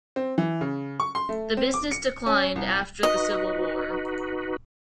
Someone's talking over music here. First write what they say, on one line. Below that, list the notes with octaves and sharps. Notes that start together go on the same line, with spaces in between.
The business declined after the Civil War.
C4
E3
C#3
C#6
C6
A3
C4
D6
C#7
C#4
C2
D#4 F#4 B4 D#5